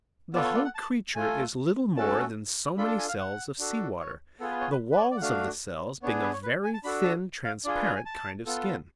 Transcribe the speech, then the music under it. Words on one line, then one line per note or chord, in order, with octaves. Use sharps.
The whole creature is little more than so many cells of sea-water, the walls of the cells being a very thin, transparent kind of skin.
B3 F4 A4 D5
C#5
D5
F#5
A5
A3 F4 A4 G#5
A3 C#4 F#4 A4 A5
D4 F4 A4 B5
A5
G#5
F5
F#5
D4 F#4 A4
C#5
B3 F4 G#4 A4
B4
C#5
B4
B4
D5
C#5
D5
F#5
A3 D4 F#4 F5
B3 D4 G#4 C#5
B4
C#5
B4
G#5
A5
D4 F#4 A4 B5
A5
F5
D4 F4 G#4 D5
B4
B4
G#5
A5
B3 F4 A4